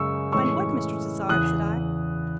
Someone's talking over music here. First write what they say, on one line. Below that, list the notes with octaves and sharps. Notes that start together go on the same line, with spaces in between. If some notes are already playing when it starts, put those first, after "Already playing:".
"Find what, Mr. Tassard?" said I.
Already playing: F#2 C#3 G#3 C#6 E6
A2 E3 G#3 C#4 C#6 E6
E2 C#3 E3 D#6 F#6